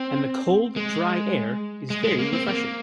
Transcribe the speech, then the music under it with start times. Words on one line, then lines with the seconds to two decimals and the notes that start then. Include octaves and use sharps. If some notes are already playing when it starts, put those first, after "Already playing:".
And the cold, dry air is very refreshing.
Already playing: C4
0.76 G#3
1.90 G#3
2.04 G#3
2.19 A#3
2.33 C4
2.48 A#3